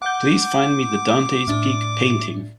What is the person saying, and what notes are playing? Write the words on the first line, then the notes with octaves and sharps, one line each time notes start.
Please find me the Dante's Peak painting.
F#5 D6 G6
A2 D4